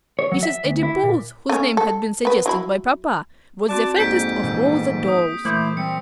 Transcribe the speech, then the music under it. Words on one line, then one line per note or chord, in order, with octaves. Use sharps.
Mrs. Adipose, whose name had been suggested by papa, was the fattest of all the dolls.
C#5
F#3
E5
D2
E4
A#2
A3 C#4
A4
B3 B4
F#3 E4 B5
C4 F#4 D5 A5 D6
F2 G#2 A#3 G#4 G6 B6 D7
A#2 E3 G#3 G6
D#6
A#2 E3 A3 E4 C5 G6
G3 C4 C#7